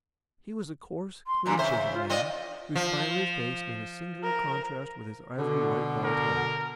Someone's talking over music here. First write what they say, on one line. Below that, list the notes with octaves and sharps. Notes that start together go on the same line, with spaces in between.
He was a coarse, clean-shaven man, whose fiery face made a singular contrast with his ivory-white bald head.
C6
G2 A#2 E3 A#5
C#3 C5 E5
F4
C4 F4 D5 D#5
F3
A#4
B2 D3
A#4